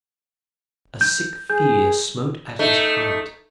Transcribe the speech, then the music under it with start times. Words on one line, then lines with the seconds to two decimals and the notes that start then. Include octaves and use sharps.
A sick fear smote at his heart.
1.01 G6
1.50 G#4 G6
2.59 A3 D#4